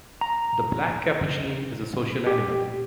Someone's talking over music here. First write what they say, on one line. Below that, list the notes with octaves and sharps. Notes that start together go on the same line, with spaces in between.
The black capuchin is a social animal.
A#5
G4